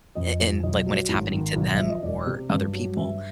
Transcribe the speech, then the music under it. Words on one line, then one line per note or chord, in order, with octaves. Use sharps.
a and, like, when it's happening to them or other people,
F2 D#5
F3
B1 D#5
F#3
G#1
D#3
B1
F3 E5
D#5
E1 D5
C3
G2
F#3
G2 E5